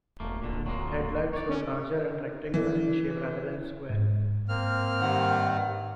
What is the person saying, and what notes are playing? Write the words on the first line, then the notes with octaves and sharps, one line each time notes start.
Headlights were larger and rectangular in shape, rather than square.
E1 A3 A#3
D1 A#2 D3
F#3 G#3 A#3
C#5 D5
C#4
E3
G#2
A#3 C4 F6
G2 D#3 F#5